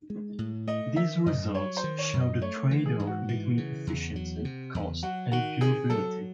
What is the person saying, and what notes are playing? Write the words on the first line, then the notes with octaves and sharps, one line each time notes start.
These results show the trade-off between efficiency, cost, and durability.
G#3
A2
A3 D#5
D#3 E5
F#2 D#5
F#3 C#5
C5
D#3
C#5
F#2
D#5
A3 C#5
E3
G#4
G#2
F#4
E3
C#3
E2
F#3
C3
E2
F#3 F#4
D#3 F#4
C3 G#4
F#3 A4